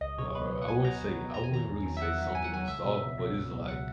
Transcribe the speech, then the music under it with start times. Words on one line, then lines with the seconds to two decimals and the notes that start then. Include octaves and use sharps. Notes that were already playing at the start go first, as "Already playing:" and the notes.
Alri I wouldn't say I wouldn't really say something was off, but it's, like,
0.01 C#2 D#5
0.18 B2 F#3 C#5
0.35 C#2 B4
0.51 B2 F#3
0.62 F#5
0.68 C#2 G#5
0.84 B2 F#3 A#5
1.02 C#2
1.18 B2 F#3
1.34 E2 A#5
1.44 G#5
1.51 D#3 F#3 A#5
1.68 E2
1.84 D#3 F#3
1.97 E5
2.02 E2 F#5
2.18 D#3 F#3
2.34 E2 G#5
2.44 F#5
2.52 D#3 F#3 G#5
2.68 C#2 E5
2.85 B2 F#3
3.01 C#2
3.18 B2 F#3
3.35 C#2
3.51 B2 F#3
3.68 C#2 F#5